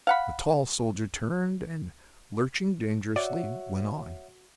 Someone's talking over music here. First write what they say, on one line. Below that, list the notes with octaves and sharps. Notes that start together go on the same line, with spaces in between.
The tall soldier turned and, lurching dangerously, went on.
F5 F#5 B5
F#4 C#5 D5 E5 F#5